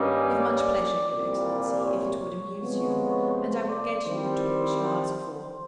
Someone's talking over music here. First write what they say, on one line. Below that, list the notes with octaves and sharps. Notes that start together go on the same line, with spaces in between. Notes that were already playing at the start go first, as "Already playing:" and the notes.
With much pleasure, your excellency, if it would amuse you; and I will get you the torch you ask for.
Already playing: G2 D#3 G3 A#3 C#4 D#5
D5
C2 A#2 G3 D5
C#5
C3 F3 G#3 B3
C5
D5
D#3 G3 C4 E4 C5